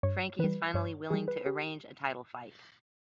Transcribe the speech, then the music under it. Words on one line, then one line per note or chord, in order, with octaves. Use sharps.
Frankie is finally willing to arrange a title fight.
G2 C#5
E3 G3 B4
G2 C#5
E3 G3 G#4
B4
G4